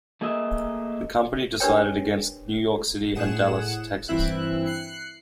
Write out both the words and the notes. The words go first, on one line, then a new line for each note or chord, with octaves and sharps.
The company decided against New York City and Dallas, Texas.
A3 A#3 G#4 A#4 D#5 E5
D4 G4 A#4 B4 C#5 G5
A2 G#4 F#5 E7
G2 E3 C4 E4 E5 F#6
F#6 C7 C#7